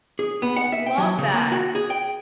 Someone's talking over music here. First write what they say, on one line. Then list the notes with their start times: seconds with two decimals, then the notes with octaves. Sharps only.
Love that.
0.19 G#4
0.42 B3
0.56 F#5
0.72 E5
0.86 G5
0.98 F#3
1.18 C#3
1.34 A#3
1.52 F#4
1.75 G#4
1.90 G5